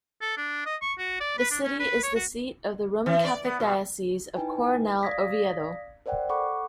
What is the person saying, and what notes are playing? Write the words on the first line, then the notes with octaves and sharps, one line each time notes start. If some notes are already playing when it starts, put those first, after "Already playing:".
The city is the seat of the Roman Catholic Diocese of Coronel Oviedo.
A4
D4
D#5
C#6
F#4
D5
B4
D4
C#4
B4
C#5
F#4
E3
D5
B3
B2
D#4 E4 B4 G5 G#5
D5 F5 D#6 G#6 A#6 B6
A#4 C5 D5 F#5 G5
A4 F#5 B5 C#6 D6